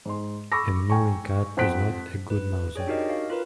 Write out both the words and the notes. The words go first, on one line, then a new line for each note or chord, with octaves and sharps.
A mewing cat is not a good mouser.
G#2 C6
B5 C#6 D6 E6 A#6
G5 G#5 A#5 C#6
F2 C5 F#5 F#6 B6 D7
B4
G#4 C#5 D5 G5
D4 D#4 F#4 G4 A#4 D#5
F5
F4 A#4 B4